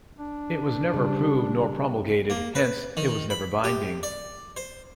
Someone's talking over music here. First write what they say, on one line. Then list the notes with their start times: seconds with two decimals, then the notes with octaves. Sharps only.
It was never approved nor promulgated, hence, it was never binding.
0.19 D4
0.94 C#3 G3
2.30 A#3
2.55 B4
2.97 D#3
3.30 B5
3.64 G4
4.03 D5
4.57 C5